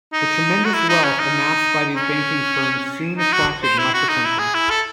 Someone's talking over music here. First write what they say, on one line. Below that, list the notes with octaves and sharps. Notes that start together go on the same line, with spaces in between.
The tremendous wealth amassed by these banking firms soon attracted much attention.
D#4
F#4
E4
D#4
C#4
D#4
C#4
D#4
F#4
C5
E4
F#4
D#4
E4
G#4
E4
A4